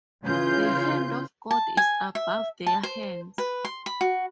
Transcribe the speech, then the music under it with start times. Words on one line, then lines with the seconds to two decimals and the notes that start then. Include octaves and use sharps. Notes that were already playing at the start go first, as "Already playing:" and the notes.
The Hand of God is above their hands.
0.24 C#3 E3 F4 C6 G6
1.51 A5
1.77 G#5
2.15 E5
2.66 A5
2.83 C5
3.38 B4
3.65 C6
3.86 B5
4.01 F#4